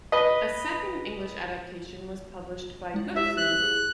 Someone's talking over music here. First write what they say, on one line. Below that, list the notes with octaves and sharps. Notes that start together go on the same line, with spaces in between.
A second English adaptation was published by Gutsoon!
B4 D#5
G#3 E4
E4 G4 C5 E5
F#6
G#4